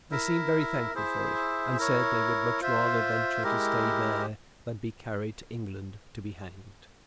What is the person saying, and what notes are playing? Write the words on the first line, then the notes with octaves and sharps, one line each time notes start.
They seemed very thankful for it, and said they would much rather venture to stay there than be carried to England to be hanged.
E4 A#4 E5
E4 G#4 C5 E5
E4 A#4 C#5
F4 C5 E5
G#3 E4 G4 A#4